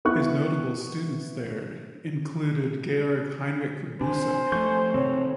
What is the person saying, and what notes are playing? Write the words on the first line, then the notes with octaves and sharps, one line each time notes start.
His notable students there included and Georg Heinrich Busse.
B3 E4 C#6 F#6
C4 D4 C5 G#5
F3 A3 A4 C#6 G6
C3 D#3 C4 A4 C#5